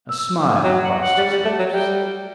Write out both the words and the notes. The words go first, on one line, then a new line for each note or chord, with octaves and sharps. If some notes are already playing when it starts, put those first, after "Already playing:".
A smile crossed his lips.
E6
F#3 G5
F#5
F#5
G3
G3
A3
F#3
G3 G5